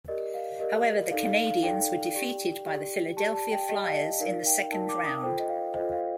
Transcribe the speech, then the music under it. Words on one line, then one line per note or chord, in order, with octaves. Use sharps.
However, the Canadiens were defeated by the Philadelphia Flyers in the second round.
G4 A#4 D5 D#5
F5
G4 A#4 D5 D#5
D#5
D#4 A4 D5 F5
F5
F5
F5
D#4 A4 D5 G5
G4 D5
G4 D5
G4 D5 A5
A5
G5
G4 D5 D#5
F5
D#5
D#4 A#4 D5 F5
G5
D#4 A#4 D5 A5
D6
D#6
F4 A4 C5 G5
D#5
F5
F4 A4 C5 D#5
F5